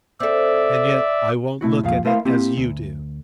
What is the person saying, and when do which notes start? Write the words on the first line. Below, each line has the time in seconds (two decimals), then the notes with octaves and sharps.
And yet I won't look at it as you do.
0.20 C4 A4 D5 E5
1.61 B2 A3 E4 F#4
1.83 C2 F2 A#2 F3 F5
2.05 A3 E4 A#4 C5 E5 F5
2.25 A#3 C4 E4 G4
2.57 D2